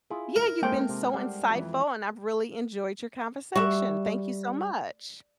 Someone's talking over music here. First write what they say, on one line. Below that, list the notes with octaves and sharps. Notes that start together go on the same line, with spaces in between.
Yeah, you've been so insightful, and I've really enjoyed your conversation. Thank you so much.
E4 F4 G#4
A#4
G#3 A#3 C4 G#4 A4 C5 G5
C3
G3 C5 F#5
F2 E3
G3 F#4 E5